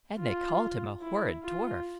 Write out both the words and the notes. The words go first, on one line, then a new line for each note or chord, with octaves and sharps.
And they called him a horrid dwarf!
F4
E4
F4